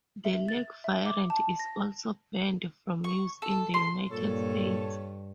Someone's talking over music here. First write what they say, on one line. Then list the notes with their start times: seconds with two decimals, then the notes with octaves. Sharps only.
The lake variant is also banned from use in the United States.
0.25 E5
0.48 A6
0.84 E5
1.06 D6
1.30 A5
1.59 A#6
3.04 C#6
3.42 A4
3.74 C6
4.11 G2 A#2 A4 C#5